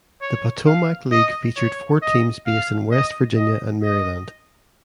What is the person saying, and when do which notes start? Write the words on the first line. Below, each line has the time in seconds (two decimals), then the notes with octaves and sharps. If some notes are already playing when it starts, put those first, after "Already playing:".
The Potomac League featured four teams based in West Virginia and Maryland.
0.22 C#5
0.67 F5
1.11 D#5
1.57 C#5
2.02 D#5
2.47 F5
2.91 D#5
3.37 D#5
3.82 D#5